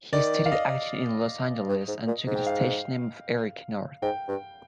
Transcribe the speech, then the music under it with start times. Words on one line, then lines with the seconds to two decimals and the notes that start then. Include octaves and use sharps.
He studied acting in Los Angeles and took the stage name of Eric Nord.
0.13 D#3 D5
0.46 F5
0.52 D#5
1.68 G2
1.88 G#2
2.07 A#2
2.27 G#2
2.35 G5
2.47 F5
4.02 G#2 G5
4.28 G2